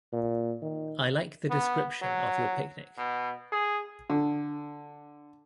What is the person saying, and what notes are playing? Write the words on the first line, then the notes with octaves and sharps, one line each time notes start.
I like the description of your picnic.
A#2
D#3
B3
F#3
B2
G#4
D3